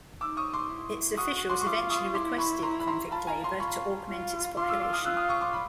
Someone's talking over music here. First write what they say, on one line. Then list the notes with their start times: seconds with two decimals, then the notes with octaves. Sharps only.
Its officials eventually requested convict labour to augment its population.
0.21 D#4 D6 E6
0.37 C#6 D#6
0.53 C6 D6
0.70 E4
1.17 F#4 C#6 D#6
1.50 C6 D6
1.61 C#6
1.66 F4 C6 D6
1.90 C#6 D#6
2.14 E4 C6 D6
2.38 B5 C#6
2.62 A#5 C6
2.79 B5
2.87 A#5 C6
3.11 F4 A5 B5
3.27 G#5 A#5
3.43 A#5 C6
3.60 F4 B5 C#6
4.08 F4
4.57 F4 C6 D6
4.69 D6 E6
4.81 D6 E6
4.93 D#6 F6
5.05 F4 E6 F#6
5.17 D#6 F6
5.29 C#6 D#6
5.41 C6 D6
5.53 B5